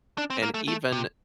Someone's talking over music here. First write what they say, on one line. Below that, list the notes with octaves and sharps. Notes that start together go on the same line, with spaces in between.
and even
D4
C4
A#3
A3
A3
C3